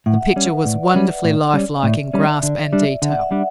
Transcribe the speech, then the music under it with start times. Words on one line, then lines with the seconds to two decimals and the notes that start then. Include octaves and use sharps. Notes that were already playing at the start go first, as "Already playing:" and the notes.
The picture was wonderfully life-like in grasp and detail.
0.06 A2 F#5
0.21 E5
0.36 G3 C#4
0.50 B4
0.65 A2 D5
0.94 G3 C#4
1.24 A2 D5
1.54 G3 C#4
1.83 A2 E5
2.03 E5
2.14 G3 C#4
2.23 E5
2.42 D3 D5
2.62 E5
2.73 G3 D4
2.82 E5
3.02 D3 F#5
3.12 F#5
3.21 E5
3.31 G3 D4